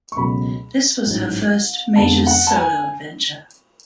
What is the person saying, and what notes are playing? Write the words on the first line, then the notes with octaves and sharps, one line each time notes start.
This was her first major solo adventure.
C#6
C#2 B2 F#3 A3 B5
A1 G#2 F#3
F1 F2 D3 G#3 B3 A5
F#5
A5
G#5